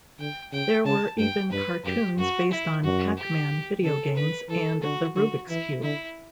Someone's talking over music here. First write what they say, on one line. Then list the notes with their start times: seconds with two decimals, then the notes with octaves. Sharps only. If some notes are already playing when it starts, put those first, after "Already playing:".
There were even cartoons based on "Pac-Man" video games and "the Rubik's Cube".
0.19 D3 G5
0.52 C#3 G5
0.85 C#3 A5
1.18 G2 G5
1.51 G2 B4
1.85 F#2 G4
2.18 F#2 F#4
2.51 E4
2.84 F#2 F#4
3.17 G4
3.83 C#3 A4
4.17 D3 B4
4.49 E3 A4
4.83 D3 F#4
5.16 D3 F#4
5.49 E3 E4
5.82 D3 E4